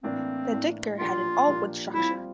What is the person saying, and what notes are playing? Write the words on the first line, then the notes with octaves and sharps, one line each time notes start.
The Duiker had an all-wood structure.
A2 E3 A#3 C4 D4
A2 E3 A#3 D4
A#2 F3 A#3 D4 F4 G4
A#2 F3 A#3 D4 G4
G3 C4 E4 F4